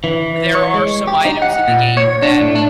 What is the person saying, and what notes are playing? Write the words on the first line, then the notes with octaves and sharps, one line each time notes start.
there are some items in the game that
E3
C#5
G#3
G4
D#4
F#5
A#2
C#5
D4
A2
D4